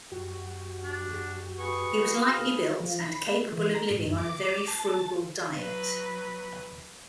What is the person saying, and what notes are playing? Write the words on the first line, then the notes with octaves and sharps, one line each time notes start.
He was lightly built and capable of living on a very frugal diet.
F#2 F#4 G4
D4
G#4 B4 C#6
F5
F3
B5
E3
A#5
G#2
F#2
D6
A5
F#3 B4